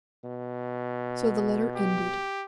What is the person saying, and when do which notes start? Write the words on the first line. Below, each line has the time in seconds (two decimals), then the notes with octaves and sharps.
So the letter ended.
0.24 B2
1.76 G4